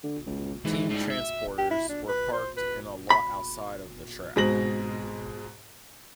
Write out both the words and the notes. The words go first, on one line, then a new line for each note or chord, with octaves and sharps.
Team transporters were parked in a lot outside of the track.
D3
C#2
G#2 E3
A2 G3
E5
G4
E4
D4
B4
C5
B4
B5
G#2 B2 G#3 C4 A#6 F#7